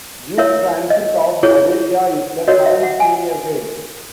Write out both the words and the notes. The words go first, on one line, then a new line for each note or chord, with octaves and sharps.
Duke Francis of Bavaria is the current senior heir.
E4 A#4 C#5 E5
D#5
E4 G#4 C#5
F#4 A#4 C#5 D#5
E5
F#5
G#5